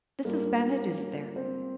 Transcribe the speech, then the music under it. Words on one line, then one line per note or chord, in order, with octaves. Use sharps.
Mrs. Bennett is there.
G#2 G3 A#3 D4 F4 A#4
C4 C5